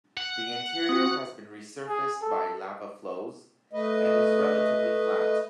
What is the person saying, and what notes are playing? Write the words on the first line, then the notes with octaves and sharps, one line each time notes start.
The interior has been resurfaced by lava flows, and is relatively flat.
F#5
C4 F#4 D#6
G#4
A4
A3 B4 D#5